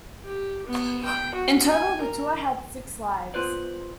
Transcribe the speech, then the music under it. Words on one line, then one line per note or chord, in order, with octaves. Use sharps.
In total, the tour had six lives.
G4
B3
G5
F#4
G#5
A#4
B3 F4 B4 C5 D5